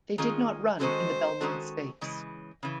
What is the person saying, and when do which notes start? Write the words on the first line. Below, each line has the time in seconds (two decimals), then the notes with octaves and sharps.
They did not run in the Belmont Stakes.
0.18 D#3 G#3 C#4 F4 G#4
0.79 D#3 G#3 C#4 F#4 A4 C5
1.40 D#3 G#3 C#4 F#4 A4
2.01 C#3 E3 G#3
2.63 C#3 E3